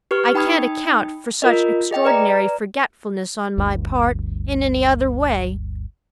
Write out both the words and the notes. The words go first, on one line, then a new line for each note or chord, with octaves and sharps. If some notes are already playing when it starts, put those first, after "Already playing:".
I can't account for such extraordinary forgetfulness on my part in any other way.
G4 B4 C#6 F6
D#4 G5 B5 D#6 G#6
F4 A#4 D#5
G#4 D#5 G5
B4 D5 A#5
G1 D2 G2